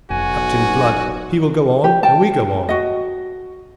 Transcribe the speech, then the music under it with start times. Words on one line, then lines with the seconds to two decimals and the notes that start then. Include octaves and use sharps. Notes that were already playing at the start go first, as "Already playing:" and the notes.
Captain Blood, he will go on, and we go on.
0.10 F1 B1 F#4 G#5
1.84 G4
2.03 G5 A5
2.69 F#4 D#5